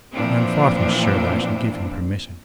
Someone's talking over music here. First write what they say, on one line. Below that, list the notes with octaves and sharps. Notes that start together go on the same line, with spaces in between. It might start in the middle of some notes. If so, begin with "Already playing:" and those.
I am far from sure that I shall give him permission.
A#2 E3 F3 C4 D4